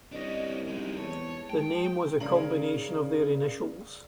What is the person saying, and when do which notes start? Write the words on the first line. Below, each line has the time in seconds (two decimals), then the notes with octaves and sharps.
The name was a combination of their initials.
0.12 C2 C#4 D4 D#5
0.67 G3 G#3 D#4
0.97 E2 C#5 A5
1.50 G#3 G5
2.20 C#3 G#4 A#4 D5 F5 F#7